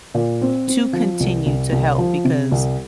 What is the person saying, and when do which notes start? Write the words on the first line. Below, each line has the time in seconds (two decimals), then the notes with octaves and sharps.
to continue to help because
0.14 A#2
0.41 C4
0.68 C4
0.93 F3
1.20 C2
1.46 C2
1.72 C2
1.98 F3
2.24 C3
2.52 C2